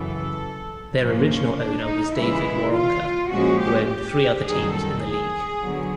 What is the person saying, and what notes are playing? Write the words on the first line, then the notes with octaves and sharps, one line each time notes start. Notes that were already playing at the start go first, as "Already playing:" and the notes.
Their original owner was David Waronker, who owned three other teams in the league.
Already playing: F#2 C#3 E3 A4
G#2 F3 A#3 C#4
C#4
D4
D#4
C#3 E3 G#3 E4
F4
A#2 F3 G#3 C#4 F#4
G4
G4
F#2 D#3 G3 G#4
A4
G#4
D3 F#3 B3